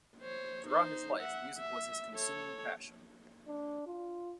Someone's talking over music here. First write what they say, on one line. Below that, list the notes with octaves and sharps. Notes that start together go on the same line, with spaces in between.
Throughout his life, music was his consuming passion.
C5 C#5
D#4 C5
E5 F#5
E5
A4 C#5
D4
F4